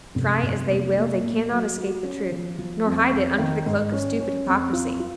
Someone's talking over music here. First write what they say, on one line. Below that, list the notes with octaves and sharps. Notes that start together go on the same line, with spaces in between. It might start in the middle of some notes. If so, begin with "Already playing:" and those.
Try as they will they cannot escape the truth, nor hide it under the cloak of stupid hypocrisy.
F1
F1
A#3
A#3
A#2
F#3
F#4
C#4
F3
F3
F2
F2
D#3
G#2
C#4
C#4
F2
F4
F4